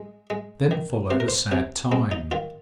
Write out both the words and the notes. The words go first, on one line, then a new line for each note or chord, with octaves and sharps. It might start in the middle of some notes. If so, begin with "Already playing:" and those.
Then followed a sad time.
Already playing: G#3
G#3
D#3
C3 C5
A#4
C5
C3 C#4
G#3 C4
D#4
D#3 F4